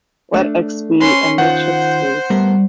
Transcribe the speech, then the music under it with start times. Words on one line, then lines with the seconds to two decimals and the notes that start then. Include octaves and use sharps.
Let "X" be a metric space.
0.34 A3 D4
1.00 C#4 B4 C6
1.38 D#3 F4 C5 F#5 G6
2.30 A2 G3 B3 A#4